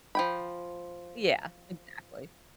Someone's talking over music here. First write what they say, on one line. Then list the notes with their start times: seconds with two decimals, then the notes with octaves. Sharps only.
Yeah, exactly.
0.15 F3 G5 B5